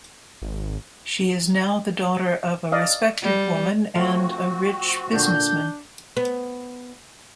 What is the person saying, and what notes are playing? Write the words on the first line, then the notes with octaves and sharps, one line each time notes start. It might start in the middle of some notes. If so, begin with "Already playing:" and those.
She is now the daughter of a respected woman and a rich businessman.
G#1
D5 D#5 F5
G3
F3 A3 C4 F4 F#4
A#2 D3 D4 G6
B3